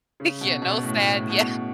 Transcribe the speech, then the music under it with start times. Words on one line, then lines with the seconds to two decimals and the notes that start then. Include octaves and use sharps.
Yeah, no sad. Yeah
0.20 C#3
0.41 B2
0.62 B2
0.83 A2
0.98 A2
1.15 A2
1.30 B2